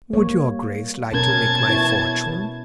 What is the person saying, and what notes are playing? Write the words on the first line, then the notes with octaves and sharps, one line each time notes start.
"Would your Grace like to make my fortune?".
G3 A#3 C#5
B2 C#4 A#4 A5 G#6
B3 E4 C#5